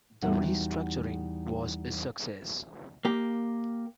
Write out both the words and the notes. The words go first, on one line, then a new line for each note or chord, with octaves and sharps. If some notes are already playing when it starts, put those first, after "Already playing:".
The restructuring was a success.
E2 G3 D#4 F#4 F#5
A#3 G4